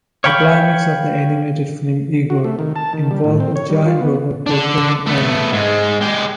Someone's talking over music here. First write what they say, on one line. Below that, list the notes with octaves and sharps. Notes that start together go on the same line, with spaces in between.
The climax of the animated film "Igor" involved a giant robot portraying Annie.
C#5 F5 G5 B5 C#6
F#4
A3
D#3
A5
D#3
G3
A2
C4
C#5
G3
F4
B3
D3 D4
A3 B3
G#2 G#3
G#3 G4